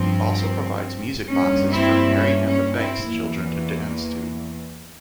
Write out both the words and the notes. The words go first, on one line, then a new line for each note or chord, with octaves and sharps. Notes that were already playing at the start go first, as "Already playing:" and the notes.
He also provides music boxes for Mary and the Banks children to dance to.
Already playing: G2 F3 C4
G2 G3 A#3 C#4
C4 E4
C#4
C#4
C4 E4
E2 E3 A#3